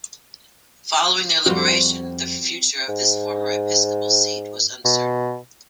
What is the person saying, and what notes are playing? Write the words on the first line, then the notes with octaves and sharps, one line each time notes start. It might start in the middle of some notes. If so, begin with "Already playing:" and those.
Following their liberation, the future of this former episcopal seat was uncertain.
F2 G3 C4 F4 F#4
G#2
B2